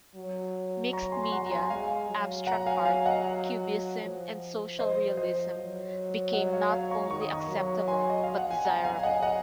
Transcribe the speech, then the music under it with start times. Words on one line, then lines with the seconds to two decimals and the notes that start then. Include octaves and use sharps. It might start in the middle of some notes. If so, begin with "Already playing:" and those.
Mixed media, abstract art, cubism, and social realism became not only acceptable, but desirable.
0.15 F#3
0.93 A#5 C#6
1.12 G#5 C6
1.23 C6
1.32 F#5 A#5
1.46 A#5
1.51 G#5 C6
1.70 G#3 F5 G#5
2.08 F#3
2.47 F#5 A#5
2.66 F5 G#5
2.86 F5 G#5
3.05 D#5 F#5
4.01 F3
4.79 C5 D#5
5.17 C5 D#5
5.56 F#3
6.33 D#5 F#5
6.52 C#5 F5
6.71 C#5 F5
6.91 A#5 C#6
7.10 D#3 C#6
7.21 D#6
7.32 A#5 C#6
7.49 F#3
7.88 G#5 C6
8.10 D#5
8.24 F5
8.37 F#5
8.51 G#5
8.65 F#3 F#5 A#5
8.84 F5 G#5
8.99 G#5
9.03 D#5 F#5
9.22 D#5 F#5